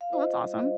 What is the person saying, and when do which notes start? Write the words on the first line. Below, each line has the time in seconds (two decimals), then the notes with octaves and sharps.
Well, that's awesome.
0.01 F5
0.13 F4 C5 D#5
0.38 G3